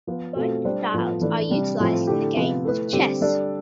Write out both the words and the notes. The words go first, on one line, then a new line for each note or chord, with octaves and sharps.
Both styles are utilized in the game of chess.
F3 B3 F4
B2 A3 C4 F4 A4
G3 D4 G4 C5
A2 F3 B3
E3 A3 D4
C3 G3 D4
A2 F3 C4
D3 A3 E4 G4
C3 F3 B3 F4
A3 E4 B4
D3 G3 C4 G4
G3 D4 A4 D5